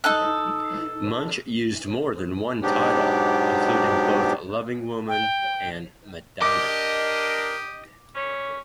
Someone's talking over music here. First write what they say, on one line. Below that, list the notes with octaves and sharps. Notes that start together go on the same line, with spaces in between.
Munch used more than one title, including both "Loving Woman" and "Madonna".
D#4 A4 F#6
G#2 B2 F#3 B3 D4 G4
G5
D4 G4 A#4 D#5 D6
G3 C#4 C#5